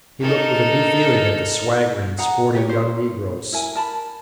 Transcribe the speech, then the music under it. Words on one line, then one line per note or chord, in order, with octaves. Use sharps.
He looked with a new feeling at the swaggering, sporty young negroes.
D#4 A4 A#4
G#4 F#5 A#5
F4 G4 A#4 C#5
C#4 C5
E4 A#4 G#5
A#4 A5 B5